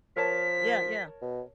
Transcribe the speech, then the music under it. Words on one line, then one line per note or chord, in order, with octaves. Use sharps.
Yeah, yeah.
F3 A#4 C#5 A5 B6
B2